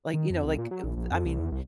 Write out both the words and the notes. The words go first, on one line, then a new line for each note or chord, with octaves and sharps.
Like, you know, like, eh, I mean,
D#3
F2
C2
A#2
F#3
A#1
A#1
F2
C2
E2
C2